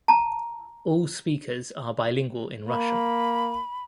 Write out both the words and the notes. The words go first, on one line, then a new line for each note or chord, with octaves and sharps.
All speakers are bilingual in Russian.
A5 A#5
A#3 B5